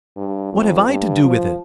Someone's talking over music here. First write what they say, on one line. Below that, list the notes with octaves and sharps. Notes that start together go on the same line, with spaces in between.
"What have I to do with it?"
G2
F2
G2
F3